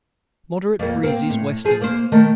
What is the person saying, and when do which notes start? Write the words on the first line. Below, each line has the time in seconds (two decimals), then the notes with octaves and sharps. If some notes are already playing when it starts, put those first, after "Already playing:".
Moderate breezes westerly.
0.79 F2 A#3
1.03 A#3 C4
1.30 A2
1.64 F3 G#4
1.81 A#3 C5
2.12 D#3 A3 A#4